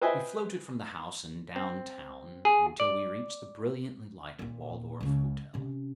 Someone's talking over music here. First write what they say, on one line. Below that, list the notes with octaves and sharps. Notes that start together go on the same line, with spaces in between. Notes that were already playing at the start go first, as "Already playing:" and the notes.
We floated from the house and down town, until we reached the brilliantly lighted Waldorf Hotel.
B4 C5 D#5 E5 G5 G#5
C4
G#4
D5
D#2 A#2
C#2 C#3
C3 C#4